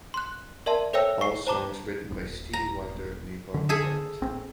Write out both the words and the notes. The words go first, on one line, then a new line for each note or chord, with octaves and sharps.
All songs written by Stevie Wonder and Yvonne Wright.
C6 F#6
A#4 D5 E5 A5 C6
A4 C5 C#5 E5 G5 E6
C#6 C7
C5 A5 A#5 D6 G7
D#1
A#5
D3
G#4 A4 E5
A1 C4